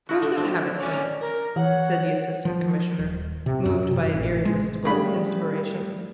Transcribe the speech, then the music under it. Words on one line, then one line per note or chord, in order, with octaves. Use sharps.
"Force of habit perhaps," said the Assistant Commissioner, moved by an irresistible inspiration.
D3 D#4 E4 F#4
A3
C4
C#4 C#5 D5
A#5
A#4
E3 C#5 F#5
F3
D#1
C3
F#2
C3
A1
G#3
A2 C#3 G3 B5